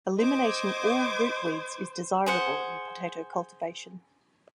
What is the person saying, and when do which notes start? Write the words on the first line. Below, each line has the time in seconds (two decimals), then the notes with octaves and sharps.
Eliminating all root-weeds is desirable in potato cultivation.
0.19 C5 D#5 D6 G#6
2.26 G#4 C5 F#5